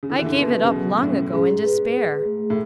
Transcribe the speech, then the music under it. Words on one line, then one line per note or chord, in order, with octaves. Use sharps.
"I gave it up long ago in despair."
C#3
D3 E4
E3
D3
C#3
B2 B4
C#3
B2 F#3
A2 C#4
G#2 G#4
B4
G#4
A3
A2